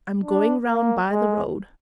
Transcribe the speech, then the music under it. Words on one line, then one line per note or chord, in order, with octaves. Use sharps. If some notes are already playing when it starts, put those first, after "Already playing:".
I'm going round by the road.
D4
A#3
G#3